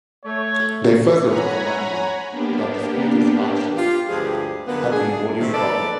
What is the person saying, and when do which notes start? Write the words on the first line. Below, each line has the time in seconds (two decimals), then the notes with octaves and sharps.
They further recommended that the Speaker's actions had been wholly proper.
0.25 A3 C#5
1.24 C#5 F#5 G#5 A#5 B5
2.30 A#3 B3 D4 G4
3.76 F4 G4
4.09 D2 G2 F3 G#3 G4 G#4
4.67 F#2 D3 A#3 B3
4.92 D4 G#4
5.39 C3 D#3 A3
5.54 A3 B3 D#4 A4 B4 D5